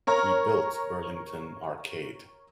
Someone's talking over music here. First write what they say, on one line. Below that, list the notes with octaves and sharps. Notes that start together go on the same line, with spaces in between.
He built Burlington Arcade.
A#4 C#5 A#5